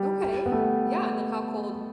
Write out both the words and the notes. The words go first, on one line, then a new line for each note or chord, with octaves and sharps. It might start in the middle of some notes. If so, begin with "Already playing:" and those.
Okay. Yeah. And then how cold
Already playing: G3
B3
A3